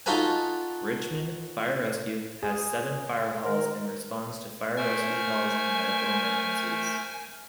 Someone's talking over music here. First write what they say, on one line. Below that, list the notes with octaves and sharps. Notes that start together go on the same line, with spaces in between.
Richmond Fire-Rescue has seven fire halls, and responds to fire-rescue calls and medical emergencies.
D#4 F4 F#4 A4 B4 G#5
G#4
D#3 A#4
A3 A#4 C5 G#5